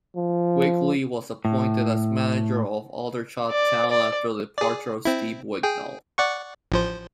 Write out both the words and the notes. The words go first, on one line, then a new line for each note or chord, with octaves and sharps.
Wigley was appointed as manager of Aldershot Town after the departure of Steve Wignall.
F3
A2
D5
D5
G#4 D5
C4 E4
G#4 G5
D5 F#5 C#6
A1 F3 C5